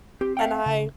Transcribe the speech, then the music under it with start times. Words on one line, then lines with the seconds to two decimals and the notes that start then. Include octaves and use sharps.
And I
0.21 C4 G4
0.37 E5 F5 G5
0.66 C#3